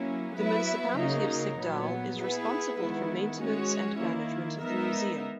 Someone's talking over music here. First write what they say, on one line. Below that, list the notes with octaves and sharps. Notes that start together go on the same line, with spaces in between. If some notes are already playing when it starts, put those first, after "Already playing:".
The municipality of Sigdal is responsible for maintenance and management of the museum.
Already playing: F#3 A#3 C#4 E4
F#3 B3 E4 B4 E5
C#3 F#3 A#3 D#4
A#2 F#3 B3
B3 E4 G#4 B4
D#3 G#3 B3 E4
G#3 C#4 F#4 C#5
D#3 A#3 E4
G#3 B3 D#4 A#4 E5